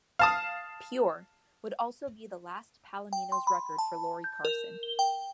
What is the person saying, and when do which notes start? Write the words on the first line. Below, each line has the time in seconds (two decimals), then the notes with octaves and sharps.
"Pure" would also be the last Palominos record for Lori Carson.
0.19 F5 A5 D#6
3.13 G5
3.32 C6
3.47 B5
3.78 A5
4.24 G6
4.45 A#4
4.83 G7
4.99 G5